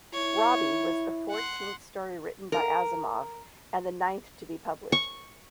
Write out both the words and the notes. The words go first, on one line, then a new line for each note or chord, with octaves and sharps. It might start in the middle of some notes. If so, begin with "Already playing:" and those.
"Robbie" was the fourteenth story written by Asimov, and the ninth to be published.
E4 C#5
F#5 C6
A#4
C#6